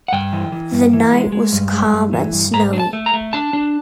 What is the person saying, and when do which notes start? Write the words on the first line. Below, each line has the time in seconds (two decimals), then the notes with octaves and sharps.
The night was calm and snowy.
0.08 F#5
0.12 G2 G5
0.33 E3
0.52 E3
0.73 G2
0.93 E3
1.13 G#3
1.32 G#3
1.52 G2
1.72 G#3
1.93 G2
2.13 E3
2.33 G2
2.53 G#2 A#5
2.73 D4
2.79 A5
2.93 A3
3.06 A#5
3.14 A3
3.33 D4 A5
3.53 D4